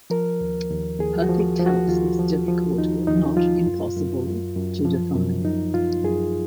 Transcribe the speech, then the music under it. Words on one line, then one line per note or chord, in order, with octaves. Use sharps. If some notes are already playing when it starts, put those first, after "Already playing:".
Perfect health is difficult, if not impossible, to define.
F3 A#4
D#2
D#2
D#2 G#4
F#4
F3
F3
F#4
D#2 F4
F3
F3
D#2 D#4
D#2 D#4
F3 F4
F#2
F#2
F#2
F#2
F3
F#2
F#2 D#4
F#2 F4
F#2 G#4